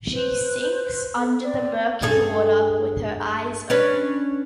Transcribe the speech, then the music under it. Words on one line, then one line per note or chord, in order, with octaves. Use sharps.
She sinks under the murky water with her eyes open.
B4 C5
B4
B3 A4
C4 D5
G2 G#4 A4
C#4 D4 B4